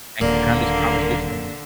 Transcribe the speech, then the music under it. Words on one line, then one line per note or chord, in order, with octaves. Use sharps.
thanks for having this conversation with me.
D#1 A#2 D3 A#3